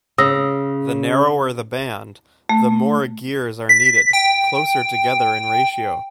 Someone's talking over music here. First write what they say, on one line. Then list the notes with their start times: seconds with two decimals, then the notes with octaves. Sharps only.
The narrower the band, the more gears are needed, closer together in ratio.
0.18 C#3 D#6 E6 A#6
2.49 A3
3.69 B6
4.13 G5